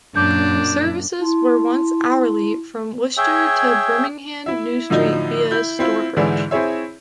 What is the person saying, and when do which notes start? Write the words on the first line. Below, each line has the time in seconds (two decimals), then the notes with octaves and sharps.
Services were once hourly from Worcester to Birmingham New Street via Stourbridge.
0.16 F#2 A#2 D4 D6 G6
1.19 E4 A5 C6
3.17 G#4 C#5 E5 G5
4.46 E4 E5
4.90 A2 D3 F3 F#3 D#4
5.51 E4 G6
5.79 C4 E4 F4
6.16 G#2 D3 E3 D4 E4 G#4
6.51 C4 E4 G#4 C#5 E5